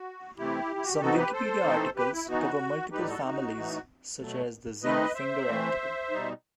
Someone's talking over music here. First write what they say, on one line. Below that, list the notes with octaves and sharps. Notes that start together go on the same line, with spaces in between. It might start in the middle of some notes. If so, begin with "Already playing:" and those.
Some Wikipedia articles cover multiple families, such as the Zinc finger article.
Already playing: F#4
C3 E3 A3 C4 E4 G4
E4
F#4
G4
C3 E3 B3 D#4 F#4 A4
G4 B4
A4 C5
E3 A3 C4 D#4
G4 B4
E4
E3 B3 D#4 F#4
A2 G3 D#4 G4 B4
F#4 A4
D#4 F#4
A2 E3 A3 D#4
B2 F#3 A3
D#3 A3 C4 D#4 B4 D#5
C5 E5
E3 A3 C4
B2 G3 D#4